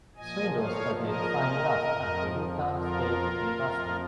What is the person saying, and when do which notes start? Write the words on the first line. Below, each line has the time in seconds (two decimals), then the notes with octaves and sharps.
Swindle studied fine arts at Utah State University.
0.16 A#2 F3 D#5 G#5
0.61 C#5 F5
1.03 A#4 D#5
1.90 F2 F3
2.75 F4 A#4
3.62 F2 F3